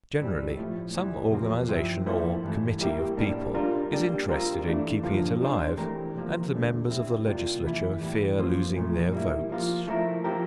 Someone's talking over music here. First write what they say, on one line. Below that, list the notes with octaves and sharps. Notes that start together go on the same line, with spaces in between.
Generally some organization or committee of people is interested in keeping it alive, and the members of the Legislature fear losing their votes.
G2 E3 G3 C4
A2 F3 A3
E2 C3 E3 G3
E2 C3 F3 A#3
G2 F3 C4 E4
F3 A#3 E4 A4 C5
G2 E3 A3
G3 A#3 E4 G4
A2 G3 A#3 D4
G3 D4 F4 A#4
G3 A#3 D4 G4
G3 C4 F4 A#4
E3 A3 D4
G2 D3 F3 A#3 F4
G3 D4 A4 C5
E3 A3 C4 G4 A#4
C3 F3 A#3
E2 D3 A3
G3 C4 E4
C3 G3 A#3 F4
E2 E3 A#3 E4
A2 E3 G3
F3 A#3 F4 C5
A#2 F3 A3
G3 A#3 E4
F3 A#3 F4
F3 A3 E4 A#4
F3 C4 G4 A#4